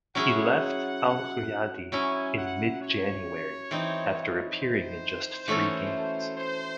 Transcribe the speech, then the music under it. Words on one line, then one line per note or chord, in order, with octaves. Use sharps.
He left Al-Riyadi in mid-January after appearing in just three games.
F#3 C#4 E4 G#4 F#5
F#3 C#4 E4 G#5
F#5
C#5
E3 C4 D#4
C5
E3 A3 C#4 F#4 A4
C5